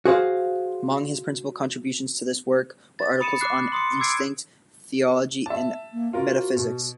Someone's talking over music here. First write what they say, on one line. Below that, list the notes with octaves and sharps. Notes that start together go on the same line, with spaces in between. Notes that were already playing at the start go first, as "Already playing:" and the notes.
Among his principal contributions to this work were articles on Instinct, Theology and Metaphysics.
F#4 G#4 C5 F5
A6
B5 D#6 C#7 D#7 E7
D6 F#6 C7
C6 D#6 C#7
D6 E6 G#6 C7 D7
E5 A5
A#3
F4 F#4 A#4
B2